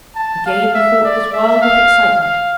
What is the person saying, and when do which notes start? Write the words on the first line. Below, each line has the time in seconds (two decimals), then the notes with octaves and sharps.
Again the fort was wild with excitement.
0.15 A5
0.46 F5
0.75 E5
1.04 D5
1.32 E5
1.62 F5
2.21 F5